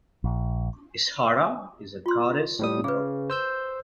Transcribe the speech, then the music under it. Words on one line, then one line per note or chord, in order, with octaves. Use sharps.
Ishara is a Goddess of the oath.
A#1
F4 C6
A2 G3 D#6
C#3 G#4 B4
C5 E6 G6